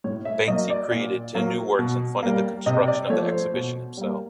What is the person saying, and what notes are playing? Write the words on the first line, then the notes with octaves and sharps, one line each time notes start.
Banksy created ten new works and funded the construction of the exhibition himself.
A2 C#5
E5
F#3 A#3 D#5
D5
A#2
F#3 A#3
B2
G3 A#3
C3 D#5
D5
F3 A3 C#5
C5
B2
G3 A#3